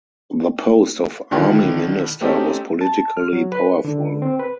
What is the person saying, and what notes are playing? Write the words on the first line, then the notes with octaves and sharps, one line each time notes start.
The post of Army Minister was politically powerful.
B2 D3 D#3 E4 F4
A3 C4 C#4 D#4 G4
A5
F6
F#3
B4
D3
C4
B4